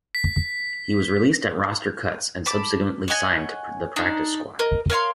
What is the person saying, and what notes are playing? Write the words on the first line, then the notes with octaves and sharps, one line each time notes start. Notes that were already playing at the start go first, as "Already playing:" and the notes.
He was released at roster cuts and subsequently signed to the practice squad.
B6
A5 B5 D6
C#5 D#5 F#5 G#5
D4 D#4
A#4 D#5
A#4 C#5 F5 C6